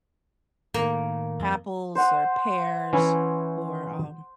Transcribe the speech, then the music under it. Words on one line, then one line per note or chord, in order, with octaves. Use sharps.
apples, or pears, or, um
A2 D#3 A#3
F2
C5 F#5
E3 C#4 E4